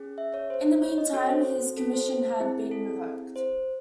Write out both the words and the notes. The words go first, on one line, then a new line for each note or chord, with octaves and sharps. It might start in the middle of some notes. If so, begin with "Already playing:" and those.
In the meantime, his commission had been revoked.
Already playing: C#4 G#4
E5
C#5
C5
C#5
D#5
C4 F#4 A4 C#5
C5
A4
C5
C5
C4 E4 G#4
A4
C5